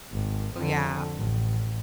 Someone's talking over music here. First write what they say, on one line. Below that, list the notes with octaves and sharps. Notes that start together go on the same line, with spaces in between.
Oh, yeah.
G#1
F2 D3
A1